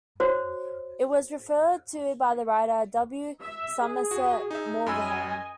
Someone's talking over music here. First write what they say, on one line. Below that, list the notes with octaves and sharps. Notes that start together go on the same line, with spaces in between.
It was referred to by the writer W. Somerset Maugham.
F#4 C5 C#5
E5
G#4
F#4
D#4 E5
F#2 D#5 G#5 B5 E6